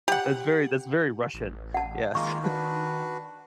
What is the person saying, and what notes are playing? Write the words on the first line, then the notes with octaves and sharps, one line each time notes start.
that's very that's very Russian, yes.
G4 F#5
A1
F#5 A5
D#3 G#3 A#3 F4 C#6
D4 F#4 B4